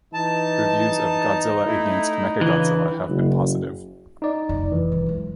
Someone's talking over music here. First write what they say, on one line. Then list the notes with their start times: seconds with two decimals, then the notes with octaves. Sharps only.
Reviews of "Godzilla Against Mechagodzilla" have been positive.
0.14 E3 D#4 A5
1.66 A3 E4
2.41 C#3 E3 D4
3.08 F#1
4.22 D#4 D5
4.49 F1
4.72 E3
4.92 C2 D4
5.06 F#3 G#3